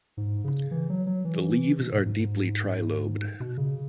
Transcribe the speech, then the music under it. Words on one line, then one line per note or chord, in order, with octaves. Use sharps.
The leaves are deeply trilobed.
G#2
C#3
E3
F#3
F#3
E3
B2
G#2
G#2
G#2
B2
C#3